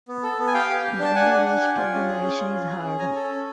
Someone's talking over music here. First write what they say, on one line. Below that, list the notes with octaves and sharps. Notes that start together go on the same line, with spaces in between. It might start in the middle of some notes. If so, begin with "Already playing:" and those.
Then the rest of the narration is heard.
B3
A4
B3
G#5
G4 F5 G5
G4
G4
D4
A5
D4 F#5 G#5
D4
D4
G4
F4
C#4
G#4
C#4
F4
C#4
G#4
C#4
C#4 G#5 A#5
A4
C#4